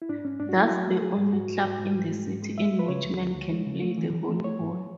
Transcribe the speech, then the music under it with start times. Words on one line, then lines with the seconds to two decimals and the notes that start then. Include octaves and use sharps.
That's the only club in the city, in which men can play the volleyball.
0.02 E4
0.09 G#2 D4
0.24 G#2 C#4
0.40 G#2 D4
0.49 F#4
0.56 F#3 E4
0.71 F#3 F#4
0.87 A3
1.02 F#3 G#4
1.17 G#2
1.33 G#2 F#4
1.49 G#2
1.64 G#2
1.80 G#2
1.95 G#2
2.12 G#3
2.26 G#2
2.42 G#3
2.58 G#3 E5
2.73 G#3
2.79 B4
2.88 C#3 C#5
3.04 D2
3.19 D2
3.35 D2
3.51 G#3
3.67 C#3
3.82 A3
3.98 E3
4.14 E3
4.29 A3
4.44 A3 C#5
4.60 G#2